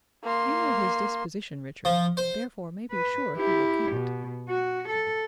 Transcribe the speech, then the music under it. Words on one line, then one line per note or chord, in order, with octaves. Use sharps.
You know his disposition, Richard, and therefore may be sure he will keep it.
A#3 C6
F3
C5
B4
E4 G4
B2
F#4
A4